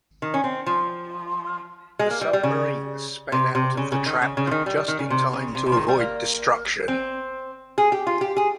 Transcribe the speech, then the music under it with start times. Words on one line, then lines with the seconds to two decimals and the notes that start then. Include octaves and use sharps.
The submarine sped out of the trap just in time to avoid destruction.
0.22 D#3
0.34 C#4
0.44 C4
0.66 F3
1.99 G#3
2.11 A#3
2.21 G3
2.33 G3
2.43 C#3
3.32 C3
3.55 C3
3.77 C#3
3.92 C#3
4.06 D#3
4.22 C#3
4.37 C#3
4.47 F3
4.51 D#3
4.66 G3
4.77 G3
4.88 D#3
4.99 C#3
5.10 C3
5.33 C#3
5.55 C3
5.66 C3
5.72 F3
5.77 D#3
5.88 G3
6.00 A#3
6.88 C4
7.78 G#4
7.92 G4
8.07 F4
8.21 G4
8.37 G#4